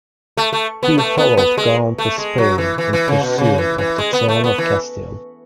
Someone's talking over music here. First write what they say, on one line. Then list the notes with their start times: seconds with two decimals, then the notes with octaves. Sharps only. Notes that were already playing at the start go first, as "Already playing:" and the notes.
He followed Gaunt to Spain in pursuit of the throne of Castile.
0.37 A3
0.53 A3
0.83 B3
0.98 A3
1.18 B3
1.37 B3
1.58 G#3
1.98 A3
2.18 G#3
2.38 F#3
2.58 E3
2.78 E3
2.93 E3
3.08 C#3
3.23 B2
3.38 C#3
3.58 E3
3.78 E3
3.98 G#3
4.13 B3
4.28 A3
4.44 B3
4.58 E3